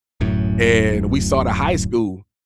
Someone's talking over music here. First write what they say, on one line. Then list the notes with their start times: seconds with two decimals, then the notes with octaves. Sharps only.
and we saw the high school,
0.21 D1 F#2 A2